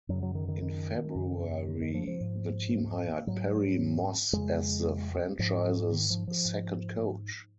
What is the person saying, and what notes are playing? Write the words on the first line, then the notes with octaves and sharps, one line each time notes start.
In February, the team hired Perry Moss as the franchise's second coach.
F#2 C#3 F#3
F#3
D#3
D#3
D#3
F#2 C#3
D#3
D#3
F3
F3
G#2
G#2 F#3
F2 C#3 G#3
G#2 F3
D#3
F3
F3
G#2